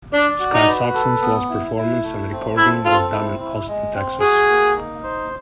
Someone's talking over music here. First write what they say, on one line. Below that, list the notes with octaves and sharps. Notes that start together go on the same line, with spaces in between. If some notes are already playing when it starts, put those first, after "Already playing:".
Sky Saxon's last performance and recording was done in Austin, Texas.
D4 D5
F#4
D#4
B4
A4
B3
E4
E4
A3
C4
E4 A4
C4 F4
E4
E4
G#3
C4
F#4 G#4
A#3
D#4
C5